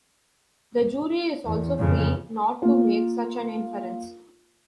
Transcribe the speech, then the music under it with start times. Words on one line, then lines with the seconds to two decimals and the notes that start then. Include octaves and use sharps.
The jury is also free not to make such an inference.
1.45 E2
1.78 F2 C#3
2.62 A#3 F4